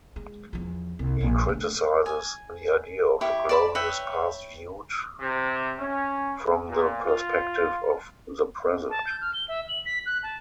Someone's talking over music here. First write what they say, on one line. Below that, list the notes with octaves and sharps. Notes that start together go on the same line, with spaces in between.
He criticizes the idea of a glorious past viewed from the perspective of the present.
G#3
E2 F3
C2
A#1
D3 A3
G#5
E4 G4 C#6
D5 A5 B5
B4 C#5 E5 G5
C3
C#4
A#2
F4
A5
G6
F6
G7
E5
F#7
B6
F#6
A5